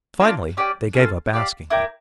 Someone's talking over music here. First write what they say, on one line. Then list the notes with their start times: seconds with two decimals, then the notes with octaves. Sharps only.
Finally they gave up asking him.
0.20 A#3 D4 F4
0.57 C#4 G4 D5 G5
0.95 C#4 F4 A4
1.33 G4 D5 F5
1.70 E4 A#4 D5 G5